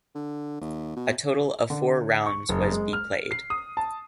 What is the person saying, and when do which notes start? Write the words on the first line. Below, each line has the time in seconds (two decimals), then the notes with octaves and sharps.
A total of four rounds was be played.
0.15 D3
0.61 D#2
0.97 B2
1.70 D3
2.26 C#6
2.49 F#1
2.72 G#3
2.93 F6
3.31 C7
3.50 D#6
3.77 A5